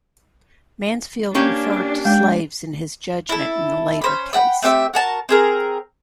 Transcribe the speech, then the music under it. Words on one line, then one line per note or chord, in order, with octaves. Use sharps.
Mansfield referred to slaves in his judgment in a later case.
A#3 C#4 D4 G4
G#3 G5
E4 A4
C#4 C5 B5
E5 F#5 G5 B5
A3 C4 G4 E5
F#4 A#4 A5
C4 G#4 A#4